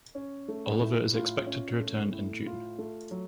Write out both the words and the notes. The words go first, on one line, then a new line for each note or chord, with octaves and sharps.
Olivier is expected to return in June.
C#4
A3
A2
F4
C#4
A3
A2
F4
A3
F#3